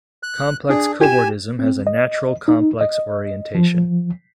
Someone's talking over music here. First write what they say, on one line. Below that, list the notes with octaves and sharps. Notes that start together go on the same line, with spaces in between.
Complex cobordism has a natural complex orientation.
F#6
D4 G#4
G4 G#5 E7
C4
D#5
D#4
D#5
F3